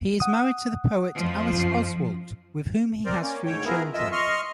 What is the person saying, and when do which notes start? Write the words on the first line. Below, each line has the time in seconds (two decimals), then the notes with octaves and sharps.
He is married to the poet Alice Oswald, with whom he has three children.
0.20 F#5 D#6
1.16 F2 F3
1.58 F#2 C7
3.06 C4 A#4 C5 D5
3.22 A#3 C#4
3.46 D2 G#2 C#5 G5
3.65 F3 B3 E4 G#4 A#4
3.94 F2 F4 D#5 E5 E6
4.12 D#5 C6 C#6 F6